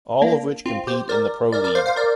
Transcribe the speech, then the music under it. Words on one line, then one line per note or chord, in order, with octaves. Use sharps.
All of which compete in the Pro League.
A#3 D4
C4 F4
G4 C5
A#4 D5
A#4 D5
A#4 D5
C5 F5
C5 F5
A#4 D5